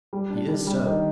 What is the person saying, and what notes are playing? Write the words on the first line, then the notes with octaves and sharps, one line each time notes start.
"He is so."
G3
D4
G3
G3
D#3